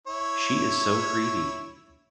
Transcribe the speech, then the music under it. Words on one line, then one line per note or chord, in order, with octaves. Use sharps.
She is so greedy!
E4 C#5